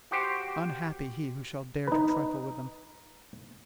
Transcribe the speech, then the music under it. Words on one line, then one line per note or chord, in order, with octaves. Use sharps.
Unhappy he who shall dare to trifle with them!
F#4 G4 C5
D#4 B4